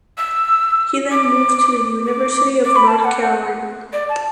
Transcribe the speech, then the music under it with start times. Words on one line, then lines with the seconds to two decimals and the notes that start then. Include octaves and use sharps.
He then moved to the University of North Carolina.
0.18 E6
1.11 D6
2.05 D6
2.65 D6
2.76 B5
2.87 A5
3.00 A5
3.04 F#5
3.93 D5
4.09 A5